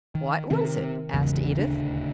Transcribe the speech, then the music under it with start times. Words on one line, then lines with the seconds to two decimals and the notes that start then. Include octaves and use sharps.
"What was it?" asked Edith.
0.15 D#3
0.50 C3 D#3 C4 A#4
1.14 G#1 E2 C#3
1.59 D#1 D2 D4